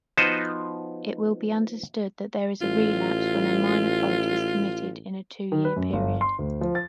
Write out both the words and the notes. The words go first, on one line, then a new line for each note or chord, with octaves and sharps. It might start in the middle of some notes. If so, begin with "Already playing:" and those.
It will be understood that there is relapse when a minor fault is committed in a two-year period.
F3 B3 D#4 F#4 C5 D#5
A1 F4
D#3
B4
F#2
G1
C6
D2
F3
A6